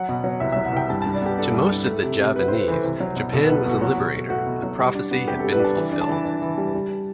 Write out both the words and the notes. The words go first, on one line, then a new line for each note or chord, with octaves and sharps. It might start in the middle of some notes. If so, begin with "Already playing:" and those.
To most of the Javanese, Japan was a liberator: the prophecy had been fulfilled.
Already playing: F#3 F#5
B2
F#3
C2 E5
E5
F#3
F#5
C2 G5
G2 A5
A5
G2
D5
B3 G4
D4 A4
G2
D4
A3
C3
C3
A3 B4
C5
A3
B4
E3 C5
C2
F#3
B2
B2 A4
B4
C2
A4
B2 F#4
F#3 F#4
B2
A3
A3 F#4
B2
F#3
G3
D4
B3
C3 G4
A4
G3
B4
D4 A5
E3
D4
A5
E3
D4
E3
G3
G3